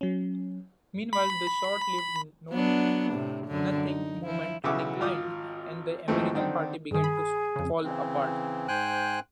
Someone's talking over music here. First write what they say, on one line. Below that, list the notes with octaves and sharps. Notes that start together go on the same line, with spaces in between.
Meanwhile, the short-lived Know-Nothing movement declined and the American Party began to fall apart.
F#3 C#4
B5
F#3 B3 D4
A2 C3
F#2 D3
D#4
F3 E4
B1 C#3 E3 E5 F#5 D6
G#1 F4 D6 D#6
D#2 G#2 E3 F3 A3 C4
D3 D#3 C4 D4
G2 D#3 G#4
B5
F2 C#3
C#3 E3 C4
G#2 C5 G5 G#5 F#6